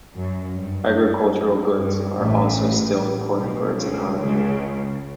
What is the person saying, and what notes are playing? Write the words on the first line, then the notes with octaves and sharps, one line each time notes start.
Agricultural goods are also still important for its economy.
F#2
G2
G2
F#2
G2
A1 A2
B1 B2
C#2 C#3
C#2 C#3